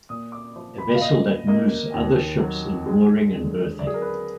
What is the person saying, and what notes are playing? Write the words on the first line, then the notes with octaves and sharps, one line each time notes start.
A vessel that moves other ships in mooring and berthing.
A#2 D#6
D6
F3
B5
F5
A#2 D#5
A#3 D#5
D#2
F#3
G#3
D3
F#3 D5
G#4
A#4
B4